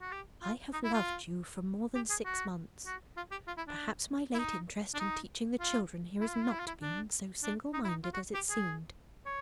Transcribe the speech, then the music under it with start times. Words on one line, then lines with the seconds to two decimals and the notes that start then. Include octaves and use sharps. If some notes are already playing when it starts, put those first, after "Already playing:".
I have loved you for more than six months! Perhaps my late interest in teaching the children here has not been so single-minded as it seemed.
0.01 F#4
0.12 G4
0.43 F4
0.73 D#4
0.84 E4
0.94 F4
1.95 G4
2.10 G#4
2.25 F#4
2.86 F#4
3.17 F4
3.31 G4
3.47 F4
3.57 E4
3.67 D4
4.34 E4
4.39 D#4
4.94 D4
4.99 D#4
5.60 F4
6.21 E4
6.29 F4
6.36 E4
6.44 F4
6.52 E4
6.60 F4
6.67 E4
6.81 D4
7.43 D4
7.73 D#4
7.84 E4
7.89 D#4
8.04 F4
8.14 F#4
8.34 G4
8.50 G#4
9.26 C#5